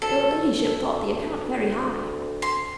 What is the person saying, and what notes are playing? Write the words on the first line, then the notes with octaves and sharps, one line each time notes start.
"Your ladyship thought the account very high."
D2 A4
C6